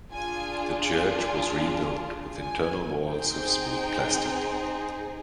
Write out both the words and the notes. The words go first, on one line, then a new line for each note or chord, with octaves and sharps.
The church was rebuilt with internal walls of smooth plastered.
D4 F4 G#4 G#5
G#5
G#5
C4 D#4 G#4 G5